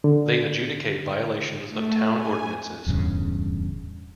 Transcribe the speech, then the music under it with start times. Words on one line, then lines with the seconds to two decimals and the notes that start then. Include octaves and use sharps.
They adjudicate violations of town ordinances.
0.04 D3
1.69 A3
2.11 G#5
2.86 D1 E2 G2 C#3